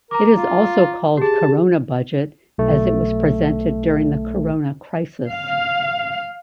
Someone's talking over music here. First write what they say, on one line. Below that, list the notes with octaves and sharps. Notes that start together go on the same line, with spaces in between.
It is also called Corona budget as it was presented during the Corona Crisis.
A#4 A#5 D6
F4
G4 G#4 A5
B1 A3
F5